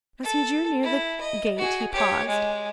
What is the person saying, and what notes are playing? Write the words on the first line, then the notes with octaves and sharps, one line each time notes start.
As he drew near the gate he paused.
A4
E4
D#5
F#4 G#4
G4 C#5
G#3